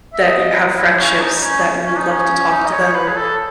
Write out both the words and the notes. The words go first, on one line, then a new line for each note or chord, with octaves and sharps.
that you have friendships, that you would love to talk to them
E5
D#5
E4
C#4
C#4
D#4
C#4
C#4
D#4
C#4
D#4
D#5
C#5
C#5
B4
G#4
A4